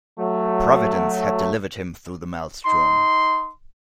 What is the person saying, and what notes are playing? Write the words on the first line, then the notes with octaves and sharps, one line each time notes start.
Providence had delivered him through the maelstrom.
F#3 A3
D#4 C6